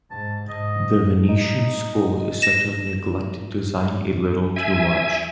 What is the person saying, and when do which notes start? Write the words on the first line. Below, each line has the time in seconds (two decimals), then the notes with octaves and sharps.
The Venetian school is said to have neglected design a little too much.
0.11 G#2 A5
0.49 G#2 D#5
1.29 D#4
2.42 A#6 E7
4.56 E5 G#5